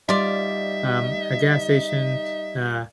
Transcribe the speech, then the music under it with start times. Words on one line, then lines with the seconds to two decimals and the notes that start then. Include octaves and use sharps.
um, a gas station, uh,
0.09 G3 D#4 F4 D5 E5